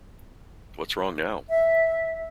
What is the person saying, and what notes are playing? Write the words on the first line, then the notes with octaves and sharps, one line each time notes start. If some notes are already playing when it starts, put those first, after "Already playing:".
What's wrong now?
E5